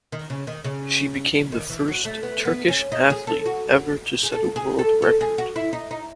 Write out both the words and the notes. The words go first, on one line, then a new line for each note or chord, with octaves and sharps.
She became the first Turkish athlete ever to set a world record.
D#3
C#3
D#3
C#3
D#3
E3
F#3
A3
B3
B3
C#4
D#4
G#4
A4
F#4
G#4
A4
G#4
A4
A4
G#4
F#4
E4
D#4
D#4